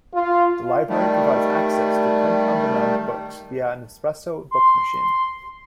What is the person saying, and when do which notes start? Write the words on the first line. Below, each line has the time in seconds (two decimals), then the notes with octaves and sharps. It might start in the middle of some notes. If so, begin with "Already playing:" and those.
The library provides access to print on demand books via an Espresso Book Machine.
0.13 F4
0.89 D#3 G3 A3
4.51 C6